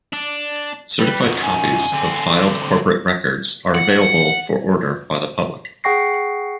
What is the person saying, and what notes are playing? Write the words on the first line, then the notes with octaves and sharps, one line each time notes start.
Certified copies of filed corporate records are available for order by the public.
D4
G3 B4
F#2 D#3
G#5
D3 C4
F#5
G#4 F#5 G5 C#6 A#6 C7